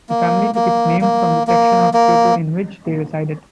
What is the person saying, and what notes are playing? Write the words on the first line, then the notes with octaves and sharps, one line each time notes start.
The family took its name from the section of Kyoto in which they resided.
A#3
A#3
A#3
A#3
A#3